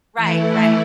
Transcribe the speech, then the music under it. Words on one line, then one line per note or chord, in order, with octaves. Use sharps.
Right, right.
E3 A3 E4